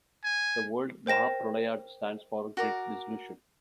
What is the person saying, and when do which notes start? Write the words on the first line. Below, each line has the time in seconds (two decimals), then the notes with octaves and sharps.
The word Mahapralaya stands for "Great Dissolution".
0.24 G#5
1.06 A#4 C5 G5 A#6 E7
2.57 F#4 A#4 D5